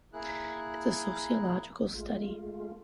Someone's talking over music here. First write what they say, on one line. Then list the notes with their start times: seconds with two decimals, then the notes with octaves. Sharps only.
It's a sociological study.
0.13 A#3 E4 G#4 F#6
1.94 G#3 A3 F4